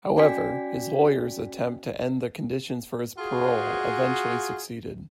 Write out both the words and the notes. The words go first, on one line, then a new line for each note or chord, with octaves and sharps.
However, his lawyers' attempt to end the conditions for his parole eventually succeeded.
C#4 F#4 D5 G5 G#5 B6
F4 F#4 G#4